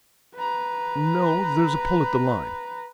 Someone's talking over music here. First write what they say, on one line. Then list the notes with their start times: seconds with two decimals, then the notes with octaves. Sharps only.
No, there's a pull at the line.
0.35 B4 A#5